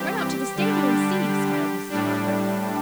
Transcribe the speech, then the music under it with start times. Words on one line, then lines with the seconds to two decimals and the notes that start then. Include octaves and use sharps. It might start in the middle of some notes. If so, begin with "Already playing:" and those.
"Run out to the stable and see," smiled Mrs. Butler.
Already playing: G2 E3 C4 G4
0.55 D3 G3 D4
1.90 A2 G3 D4